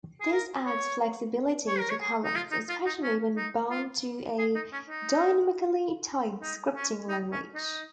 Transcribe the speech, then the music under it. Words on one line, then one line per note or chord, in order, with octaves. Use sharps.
This adds flexibility to columns, especially when bound to a dynamically typed scripting language.
G#4
A#4
C#5
C#5
A#4
C#5
G#4
D#4
F4
D#4
F4
D#4
C#4
D#4
F4
G#4
D#4
C#4
D#4
D#4
C#4
D#4
C#4
D#4